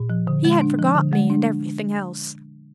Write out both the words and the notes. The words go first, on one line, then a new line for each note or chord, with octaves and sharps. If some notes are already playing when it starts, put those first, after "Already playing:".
He had forgot me and everything else.
Already playing: A#2
F3
D3
G#3
D4
F3
D3
G#3
D4